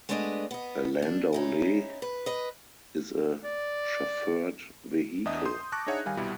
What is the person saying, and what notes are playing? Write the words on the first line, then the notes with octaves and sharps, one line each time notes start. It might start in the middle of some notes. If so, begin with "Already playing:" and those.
A landaulet is a chauffeured vehicle.
G#3 A3 B3 D4 C5 D#5
B3 D#5
D4
C#4 D#4 E4
B4
B4 D#5
D5
E2 D4 D#5 E5 D#6
C6 D#6 G6
A5 C#6 D6 F#6 A#6
D4 D#4 G#4 C#5 E5 F#5
D#3 G3 F5 G#5
C2 B2 G3 E4